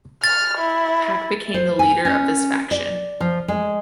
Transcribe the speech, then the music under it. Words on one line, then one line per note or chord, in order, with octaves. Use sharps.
Pak became the leader of this faction.
F6 A6
E4
C5
G#5
C#4
D5
F3
G#3